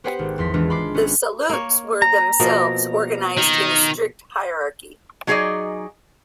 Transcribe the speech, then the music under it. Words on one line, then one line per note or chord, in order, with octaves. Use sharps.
The salutes were themselves organised in a strict hierarchy.
B3 G4 B4 C5 F#5 G5
G#1
E2 F3 C6 B6
E3 G#3 B3 D4 E4 F4
B5 C6 D6 C7
B3 C#4
A#3 C#5
A#5
B2 F3 A#3
D#3
F#3 D#4 G#4 C5 D5 D#5